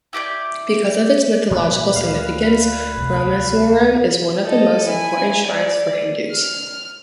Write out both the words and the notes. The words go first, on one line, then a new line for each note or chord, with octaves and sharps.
Because of its mythological significance, Rameswaram is one of the most important shrines for Hindus.
E4 G4 D5 G6
A#2 E3 G3 B4
D2 F5
E2 C3
A4 D#5
E4 G#5
D5
F6